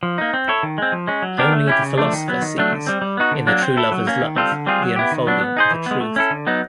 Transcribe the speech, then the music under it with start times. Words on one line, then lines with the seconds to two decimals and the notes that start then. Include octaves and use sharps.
Only the philosopher sees in the true lover's love the unfolding of a truth.
0.03 F3
0.18 A#3 D#4
0.34 C4
0.48 E4 A4 C#5
0.63 D#3
0.78 G#3 C4
0.92 F3
1.07 G#3 C#4
1.22 F#3
1.38 B3 D4 G4 A#4
1.52 A3
1.67 C#4 E4 G4
1.83 C#3
1.98 F3 A3 D4
2.13 D#3
2.28 F#3 B3
2.42 D#3
2.58 F#3 A3 D4
2.72 D3
2.87 G3 C4
3.02 G3
3.17 B3 D#4 F#4
3.31 D3
3.47 F#3 A#3 D4
3.62 C4
3.77 E4 A4
3.92 F#3
4.07 A#3 C#4
4.21 D#3
4.36 G3 C4 F4 A4
4.52 D3
4.66 G3 C4 F4 G#4
4.82 F#3
4.96 B3 E4 G4
5.11 D#3
5.27 F#3 B3 D4
5.41 B3
5.57 D#4 G#4 C5
5.71 E3
5.86 G#3 B3
6.01 A3
6.16 C#4 E4 A4
6.30 D3
6.47 F#3 B3 D#4